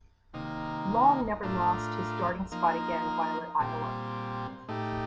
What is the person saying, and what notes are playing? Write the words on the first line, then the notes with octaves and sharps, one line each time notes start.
Long never lost his starting spot again while at Iowa.
C3 D#3 A#3 D#4
A2 A3 D4 F4 A#4
F3 A#3 D#4 A#4
A#2 G3 C4
A2 A3 D#4 G4